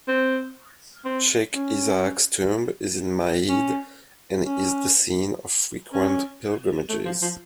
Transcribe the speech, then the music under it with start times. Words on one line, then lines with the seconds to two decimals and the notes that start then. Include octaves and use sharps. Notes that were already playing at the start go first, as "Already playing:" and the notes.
Sheikh Isaaq's tomb is in Maydh, and is the scene of frequent pilgrimages.
0.08 C4
1.05 C4
1.54 C#4
3.49 C#4
4.45 C#4
5.93 C#4
6.89 A3
7.05 F3
7.22 F3